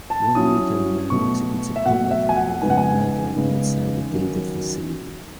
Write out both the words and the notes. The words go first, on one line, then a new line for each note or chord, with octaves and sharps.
One military man executes a combat move on another outside a gated facility.
A5
F#3 C#4 E4 D#6
B2 F#3 A3 C#6
E5
B2 F#3 A3 F#5
E5
G#5
F#5
C#3 G#3 B3 D#4 G#5
F#5
G#5
C#3 G#3 B3 D#4
D#3 F#3 C#4